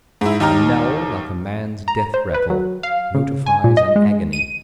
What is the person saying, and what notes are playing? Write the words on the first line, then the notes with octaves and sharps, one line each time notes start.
A knell, like a man's death-rattle, notifies an agony.
G#2 E4
D#2 D#4 G4 A#5 F6
A#5
C5
B4
F#3
F5
C#3
G#5
A#2
D#5
G#3
D#7